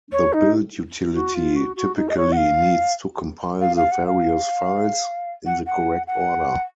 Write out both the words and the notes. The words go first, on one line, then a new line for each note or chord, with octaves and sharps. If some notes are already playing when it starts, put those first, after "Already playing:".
The build utility typically needs to compile the various files, in the correct order.
C#5
D#4
F#4
F4
F#4
F#4
D#4
D#5
C#5
F#5
F5
F5
F5
F#5
F5
F#5
F#5
F#5